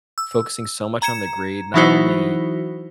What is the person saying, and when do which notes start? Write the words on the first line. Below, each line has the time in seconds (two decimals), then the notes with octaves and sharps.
focusing so much on the grade not only
0.18 E6
1.02 A#5 G#6 C#7 E7
1.74 E3 F#3 D#4 E4 F#4 C5